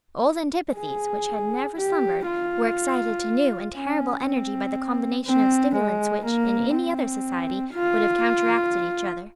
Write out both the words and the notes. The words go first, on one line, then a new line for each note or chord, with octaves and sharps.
Old antipathies, which had never slumbered, were excited to new and terrible energy by the combination of stimulants which, in any other society, would have counteracted each other.
G#4
G4
F4
C#4
C4
C4
G#3
A#3
C4
F4